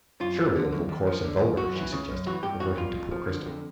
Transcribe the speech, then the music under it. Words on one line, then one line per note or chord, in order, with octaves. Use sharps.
"Surely a little coarse and vulgar?" she suggested, reverting to poor Cristel.
F#2 F4
F3
D3
F#2
D#2
F3
D3
D#2
F#2 F#4
E3
C#3
F#2
E3 F#4
G2 G4
E3 F#4
G2 F4
F2
F3
D3
F2